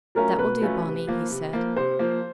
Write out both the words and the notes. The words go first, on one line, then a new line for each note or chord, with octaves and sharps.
"That will do Bonni," he said.
F#3 A3 C#4 F4 A#4
B2 B4
F#3 A3 C#4 F4
C3
F3 A#3
C3
F3 A#3
C3 C5
F3 A#3